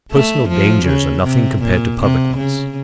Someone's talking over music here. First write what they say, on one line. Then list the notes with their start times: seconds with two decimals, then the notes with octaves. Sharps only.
Personal dangers are nothing compared to public ones.
0.11 A3
0.48 F3
0.86 C#3
1.24 C3
1.62 A#2
2.01 C3
2.37 C#3